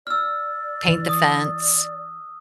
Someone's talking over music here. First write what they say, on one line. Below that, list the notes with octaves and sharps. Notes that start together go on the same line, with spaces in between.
paint the fence,
D5 E6 F6
E3
D#6